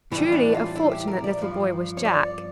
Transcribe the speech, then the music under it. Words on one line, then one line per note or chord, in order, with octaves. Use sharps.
Truly a fortunate little boy was Jack!
A2 E3 G3 E4
D4
F4
E4
G4
A#4
D5
G2 F3
C#5
D5